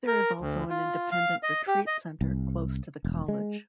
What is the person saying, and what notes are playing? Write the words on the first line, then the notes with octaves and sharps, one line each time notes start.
There is also an independent retreat centre close to the college.
A#4
D2
F4
F5
D#5
G4
D#5
C2
E1
G#3